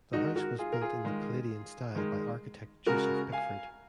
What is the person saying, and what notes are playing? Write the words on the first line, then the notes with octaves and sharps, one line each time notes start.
The house was built in the Palladian style by architect Joseph Pickford.
D#3 G#3 D#4 F#4
F#4 A#4
F4 G#4
A#4
F4 G#4
D#3 G#3
D#3 G#3
C#3 G#3 F#4 A#4
F5 G#5